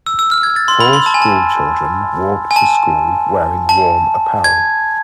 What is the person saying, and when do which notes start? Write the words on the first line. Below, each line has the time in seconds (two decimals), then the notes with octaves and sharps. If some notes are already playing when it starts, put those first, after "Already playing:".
Four school children walk to school wearing warm apparel.
0.06 E6
0.19 E6
0.31 F6
0.43 G#6
0.56 A6
0.68 C6
0.80 B5
0.93 C6
1.06 A5
1.14 G#5
1.22 A5
2.51 G#5
2.56 A5
3.69 A5
4.44 G#6